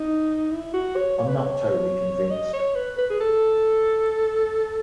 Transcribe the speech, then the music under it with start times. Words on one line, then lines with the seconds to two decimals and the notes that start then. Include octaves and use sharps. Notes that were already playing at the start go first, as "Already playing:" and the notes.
I'm not totally convinced!
Already playing: D#4
0.52 E4
0.73 F#4
0.96 C#5
1.19 C#5
1.28 B4
1.36 C#5
2.30 D#5
2.53 C#5
2.75 B4
2.98 B4
3.10 G#4
3.20 A4